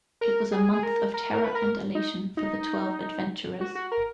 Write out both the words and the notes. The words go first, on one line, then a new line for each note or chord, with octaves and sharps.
It was a month of terror and elation for the twelve adventurers.
A#4
G#4
G#4
A#4
A#4
A#4
B4
A#4
D#4
D#4
F#4
F#4
A#4